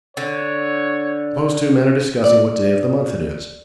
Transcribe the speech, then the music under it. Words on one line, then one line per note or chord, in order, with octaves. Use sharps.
Suppose two men are discussing what day of the month it is.
D3 C#5
D5